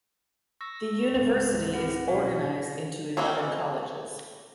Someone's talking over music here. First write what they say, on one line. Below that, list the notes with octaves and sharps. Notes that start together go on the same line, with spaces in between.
The university is organized into eleven colleges.
C#6 E6 A#6
C#2 G#2
C4 E4 F#5
B2 C#4 F#4 F5
A#3 C4 C#4 E4 F#4